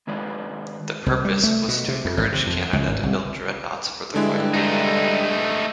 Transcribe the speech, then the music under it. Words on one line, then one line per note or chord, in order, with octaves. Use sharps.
The purpose was to encourage Canada to build Dreadnoughts for the Royal Navy.
D#3 G#3 F4 B4 D5
C2
G3
A3
B2
C3
F2
G#1
C3
F2
C#2
G#1
C2
G2 D3 G#3 E4
A3 D#4